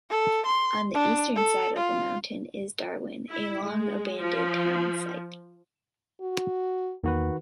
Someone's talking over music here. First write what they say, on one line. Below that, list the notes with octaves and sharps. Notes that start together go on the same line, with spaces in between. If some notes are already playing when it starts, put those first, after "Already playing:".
On the eastern side of the mountain is Darwin, a long-abandoned town site.
A4
C6
D4
A4
F4
E4
G#3
F3
F#4
E2 D#3 A#3 F#4 B4